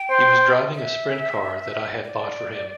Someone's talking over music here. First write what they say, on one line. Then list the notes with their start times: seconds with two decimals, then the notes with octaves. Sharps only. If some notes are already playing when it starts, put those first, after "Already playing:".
He was driving a sprint car that I had bought for him.
Already playing: G5
0.10 C5
0.74 E5
2.04 D5